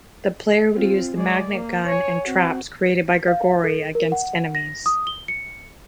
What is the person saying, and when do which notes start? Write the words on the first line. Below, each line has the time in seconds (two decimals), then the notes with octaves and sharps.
The player would use the magnet gun and traps created by Grigori against enemies.
0.73 C4 F4
1.15 G#3 D5
1.52 A#3
1.87 C#5 G#5
2.24 C4 F#4
3.28 F5
3.64 A4
3.95 A#4
4.12 F#5
4.55 A#6
4.86 D#6
5.07 G7
5.28 C#7